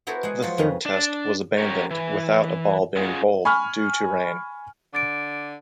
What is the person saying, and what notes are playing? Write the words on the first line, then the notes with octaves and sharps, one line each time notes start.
The Third Test was abandoned without a ball being bowled due to rain.
B3 E4 F#4 A4 A#4 C5
G#3 G#4 F#5
F3 F#3 F4
F2 C#4 B4 A#5
D4
C#4 F#4 G4 A#4 C#5
E3
C#4 F4 G#4 F#5
G#5 B5 C#6 F6
D3 D6 A6 D7